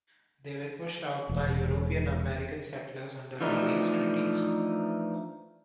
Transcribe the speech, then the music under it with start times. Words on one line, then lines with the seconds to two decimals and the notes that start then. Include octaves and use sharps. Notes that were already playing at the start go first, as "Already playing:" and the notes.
They were pushed out by European-American settlers under various treaties.
1.29 E1
3.41 E3 F3 A3 D4 D#4